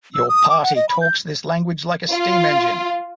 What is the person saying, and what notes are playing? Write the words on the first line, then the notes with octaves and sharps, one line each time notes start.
Your party talks this language like a steam engine.
E6
D#6
D6
F#5
D#5
B5
G6
F4